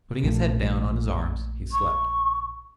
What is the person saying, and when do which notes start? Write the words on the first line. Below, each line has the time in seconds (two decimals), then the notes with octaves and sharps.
Putting his head down on his arms, he slept.
0.23 A#1 A#2 A3
1.72 C#6